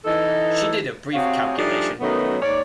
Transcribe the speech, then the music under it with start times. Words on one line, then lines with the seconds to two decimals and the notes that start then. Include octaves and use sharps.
She did a brief calculation.
0.05 E3 D#4 A4
1.14 C3 C4 F#4 G#4 C#5 F5
1.56 F3 G3 A3 D4 D#4 G#4
2.00 F#2 D#3 F#3 A3 B3
2.42 D#2 G#2 C#5 D5